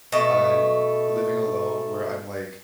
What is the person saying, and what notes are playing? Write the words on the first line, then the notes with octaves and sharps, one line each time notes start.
I'm living alone where I'm, like,
B2 A3